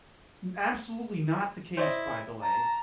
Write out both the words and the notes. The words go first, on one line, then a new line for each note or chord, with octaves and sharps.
absolutely not the case, by the way,
E4 C5 D5 D#5
A5 A#5